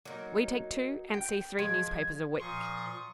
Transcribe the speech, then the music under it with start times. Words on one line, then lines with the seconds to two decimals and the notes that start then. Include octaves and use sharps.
We take two and see three newspapers a week.
0.05 F#3 A#3 D#4
1.14 G5
1.59 F3 G#3 G#6
2.39 A#2 F3 C6 C#6 D#6